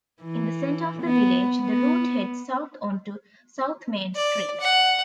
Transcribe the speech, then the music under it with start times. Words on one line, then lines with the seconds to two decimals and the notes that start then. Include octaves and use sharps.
In the center of the village, the route heads south onto South Main Street.
0.23 E3
1.03 B3
1.61 B3
4.15 D5
4.60 F#5